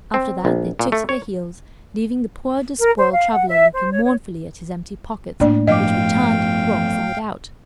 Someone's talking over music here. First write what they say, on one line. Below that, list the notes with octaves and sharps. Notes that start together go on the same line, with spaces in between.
After that they took to their heels, leaving the poor despoiled traveller looking mournfully at his empty pockets, which were turned wrong side out.
C4
A#1
A#2
A3
C#5
A#4
C5
F5
F#5
E5
C5
C#5
C#5
A2 A#3 D4 D5
G2 F3 D#5 F5 G5 D6